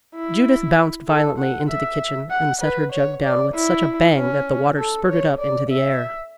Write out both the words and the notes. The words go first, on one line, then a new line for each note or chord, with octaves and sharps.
Judith bounced violently into the kitchen and set her jug down with such a bang that the water spurted up into the air.
E4
A4
F#5
E5
F#5
B4
C#5
D5
E4
C#4
A4
C#5
D5
E5